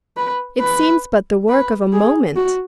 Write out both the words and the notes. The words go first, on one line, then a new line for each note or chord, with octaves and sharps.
It seems but the work of a moment.
B4
B4
B4
G#4
F#4